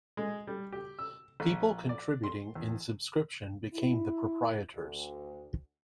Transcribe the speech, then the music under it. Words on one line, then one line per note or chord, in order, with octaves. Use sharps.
People contributing in subscription became the proprietors.
G#3
G3
G4
E6
A#1
D5
C6
E2
E4
D2